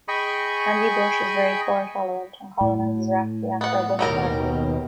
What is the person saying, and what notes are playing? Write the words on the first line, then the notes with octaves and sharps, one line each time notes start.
Kanji bush is very fire tolerant and colonises rapidly after a bushfire.
G#4 D#5 G5 G#5 B5 C#6
A2
B3 F#5
D#2 B2 F#3 G3 A#4